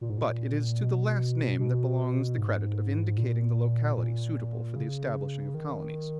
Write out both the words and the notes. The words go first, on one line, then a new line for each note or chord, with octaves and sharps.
But it is to the last named that belongs the credit of indicating the locality suitable for the establishing of colonies.
A#2
G#2
A#2
B2
B2
G#2
A#2
A#2
C#3
D#3